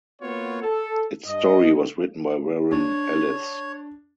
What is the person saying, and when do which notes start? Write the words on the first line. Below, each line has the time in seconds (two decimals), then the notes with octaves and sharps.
Its story was written by Warren Ellis.
0.22 A#3 B3 F4 F#4 C#5
0.62 A4
1.26 G2 D#5
2.72 D4 C#5